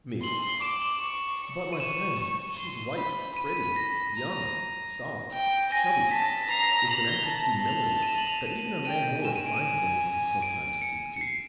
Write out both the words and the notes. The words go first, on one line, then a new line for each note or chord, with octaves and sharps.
ME: But, my friend, she's white, pretty, young, soft, chubby--it's an act of humility that even a man more refined than you could sometimes stoop to.
C6 F#7
F#7
D6 E7
E7
C#6
C#6
D#7
C#6 E7
C#6
C6
B5
B5 D#7
A#6
A#5
G5
G#5 A#6
A5 B6
A#6
B6
A#5 C7
F7
A#5 F#7
G7
A5 F#7
F7
D#7
E7
F#7
F7
D#7
G5 D#7
G#5 E7
D#7
D7
D#7
D7
C#7
C#7
C7